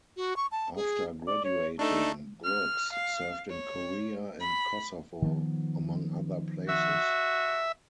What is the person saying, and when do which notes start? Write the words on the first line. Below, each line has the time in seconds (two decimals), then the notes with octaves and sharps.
After graduating Brooks served in Korea and Kosovo among other places.
0.17 F#4
0.36 C#6
0.52 A5
0.76 G#4
1.27 D5
1.44 C#5
1.79 A3 D4 D#4 A4
2.45 F6
2.93 F5
3.50 C#5
4.41 B5
5.22 D#3 F3 B3
6.69 F#4 E5